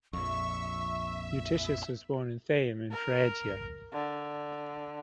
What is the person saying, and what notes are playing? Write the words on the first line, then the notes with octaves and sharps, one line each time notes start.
Eutychius was born at Theium in Phrygia.
A#1 F2 E5 C#6
A#4
D3